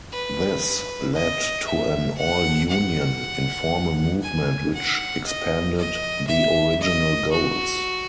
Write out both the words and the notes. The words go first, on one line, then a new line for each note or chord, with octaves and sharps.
This led to an all-Union informal movement which expanded the original goals.
B4
D#5
E5
F#5
F#5
G#5
F#5
D#5
D#5
E5
D#5
F#4